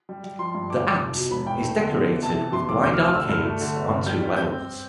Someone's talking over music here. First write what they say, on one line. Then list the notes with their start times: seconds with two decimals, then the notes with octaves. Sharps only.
The apse is decorated with blind arcades on two levels.
0.09 G3
0.24 G3
0.39 F3 C6
0.55 G2
0.70 D3 D6
0.86 F3
1.00 F1
1.16 B2
1.31 E1 B5
1.47 E2 G5
1.62 A3
1.77 D3
1.92 B3
2.08 E3
2.23 C3 A5
2.38 E3
2.53 E2 C6
2.69 F1 D6
2.84 D2 G6
2.94 F6
2.99 C3
3.04 F6
3.14 D3 E6
3.29 G2 F6
3.45 A3
3.61 D3
3.76 G1
3.90 G2
4.06 G3 G6
4.21 G3
4.37 C4 G6
4.52 C4